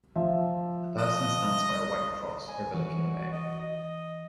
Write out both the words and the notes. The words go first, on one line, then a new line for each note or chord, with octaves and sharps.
A person stands by a white cross overlooking a bay.
F3 E5
D#5
G#5
E3 F#4
D#5
D#5